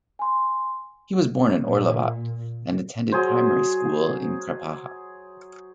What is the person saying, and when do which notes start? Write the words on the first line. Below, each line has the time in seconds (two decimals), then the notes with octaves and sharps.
He was born in Orlovat, and attended primary school in Crepaja.
0.19 G#5 C6
1.62 A#2
3.12 F#3 G#4 C5